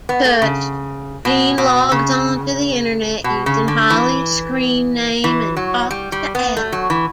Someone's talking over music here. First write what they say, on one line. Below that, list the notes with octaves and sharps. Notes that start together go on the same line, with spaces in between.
Touched, Jean logs onto the internet using Holly's screen name and talks to Adam.
B3
A3
C#3
B2
B2
C#3
B2
C#3
D3
E3
E3
F#3
G3
G3
B3
A3
F#3
E3